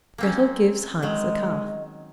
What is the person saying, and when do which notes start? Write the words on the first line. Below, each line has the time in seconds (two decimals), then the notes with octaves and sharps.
Grettel gives Hans a calf.
0.18 A#3 C4 C#4
1.02 D#3 F#3 G#3 D#5